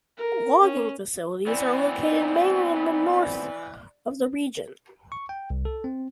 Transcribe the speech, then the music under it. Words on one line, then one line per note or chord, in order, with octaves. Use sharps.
Logging facilities are located mainly in the north of the region.
A#4
C#4
E3 B3 C4 D5
C#6
G5
C2
A4
C4